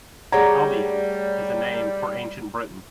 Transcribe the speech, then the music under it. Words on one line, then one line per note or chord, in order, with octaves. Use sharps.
Albion is a name for Ancient Britain.
G3 A3 G#4 C#5 D5 F#5 A#5 G#6